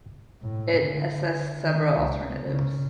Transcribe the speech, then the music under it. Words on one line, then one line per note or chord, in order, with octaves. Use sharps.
It assessed several alternatives.
A2
D3
D#3
C#2
C#3